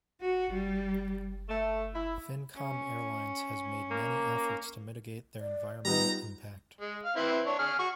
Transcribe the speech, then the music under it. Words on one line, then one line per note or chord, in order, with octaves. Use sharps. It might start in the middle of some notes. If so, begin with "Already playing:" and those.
Finncomm Airlines has made many efforts to mitigate their environmental impact.
F#4
G3
A3
E4
C#4
A#3
D5
G3 B3 D#4 F4 A#5
G#3
F5
C4 E4 B4
D4 C#5
G#4 F6
F#4 C#6